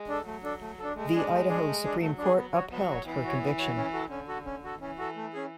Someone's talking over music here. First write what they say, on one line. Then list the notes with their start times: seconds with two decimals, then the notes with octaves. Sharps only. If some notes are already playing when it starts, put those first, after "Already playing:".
The Idaho Supreme Court upheld her conviction.
Already playing: G#3
0.08 D4 A4
0.26 F#3 A3
0.43 D4 A4
0.61 A3
0.79 D4 A4
0.96 G#3 A3
1.13 D4 G#4
1.31 A3
1.49 D4 G#4
1.66 A3
1.84 D4 G#4
2.01 F#3 A3
2.18 D4 G#4
2.36 B3
2.53 F#4 C#5
2.70 F#3 B3
2.88 F#4 C#5
3.05 E3 B3
3.24 F#4 C#5
3.41 B3
3.59 F#4 C#5
3.76 C#4
3.93 F#4 A4
4.10 D3 C#4
4.28 F#4 A4
4.46 C#4
4.64 F#4 A4
4.80 E3 C#4
4.98 F#4 A4
5.16 A3
5.33 C#4 G#4